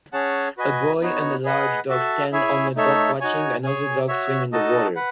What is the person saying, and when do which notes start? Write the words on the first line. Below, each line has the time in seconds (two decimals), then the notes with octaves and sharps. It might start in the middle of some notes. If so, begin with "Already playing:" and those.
A boy and a large dog stand on a dock watching another dog swim in the water.
0.13 C#4 G#4 C#5 F#5 A5
0.58 F#4 B4 D#5 G#5
1.01 B3 D#4 F#4 C#5
1.44 G#4 B4 D#5 F#5
1.89 F#4 A4 E5 A5
2.32 E4 G#4 C#5 E5 G#5
2.76 A3 D#4 A4 C#5 E5
3.21 D#4 F#4 C#5 G#5
3.64 G#4 C#5 G#5
4.08 F#4 C#5 E5
4.52 D#4 F#4 A4 D#5 A5
4.96 B4 F#5